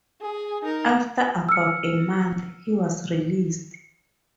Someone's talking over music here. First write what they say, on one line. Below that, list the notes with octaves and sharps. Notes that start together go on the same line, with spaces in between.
After about a month, he was released.
G#4
D#4 A#4
E6 F6 C#7